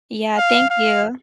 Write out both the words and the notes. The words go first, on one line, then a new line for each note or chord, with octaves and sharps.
Yeah, thank you.
F5
F5